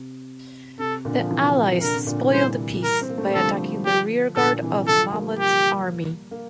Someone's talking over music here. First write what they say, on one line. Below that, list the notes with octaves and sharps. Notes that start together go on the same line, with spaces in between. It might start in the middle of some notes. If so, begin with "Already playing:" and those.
The allies spoiled the peace by attacking the rearguard of Mahmud's army.
Already playing: C3
C3 A4
A#2 D3
F3
C3 E3
A#2 D3 A#4
C3
A#2 D3
C3 E3
E3 G3 C5
A#4
C4
A#3
A3
G3
D3 F3 A4
G4
A#2 D3 A4
C3 E3
D3 F3 A4
G3 A#3
G4
A#3